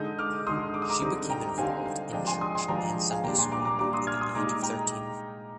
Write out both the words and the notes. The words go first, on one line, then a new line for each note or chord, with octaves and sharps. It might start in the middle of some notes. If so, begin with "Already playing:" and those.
She became involved in church and Sunday school work at the age of thirteen.
Already playing: D3 G#3 D#4 D#6 G6
D6 F6
D3 G#3 D#4 C6 D#6
D6
D#6
A#5 D6
D3 G3 C4 D#4
G5 A#5
D3 G3 C4 D#4 F5 G#5
F5
F3 G#3 D4 D#5 G5
G#5 C6
C6 D#6
G#5 C6
F3 G#3 D4 G5 A#5
F5 G#5
A#2 G3 D4 G5 A#5
G#5 C6
A#5 D6
A#5 D6
A#2 G3 D4 A#5 D6
C6 D#6
F6 G#6
C6 D#6
A#2 G#3 D#4 A#5 D6
G5 A#5